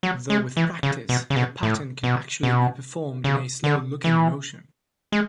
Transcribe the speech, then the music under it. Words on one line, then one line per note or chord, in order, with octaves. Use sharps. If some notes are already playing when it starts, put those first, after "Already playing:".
Though with practice, the pattern can actually be performed in a slow-looking motion.
F#3
G#3
E3
C#3
B2
C#3
B2
A2
B2
B2
C#3
D3
E3
G#3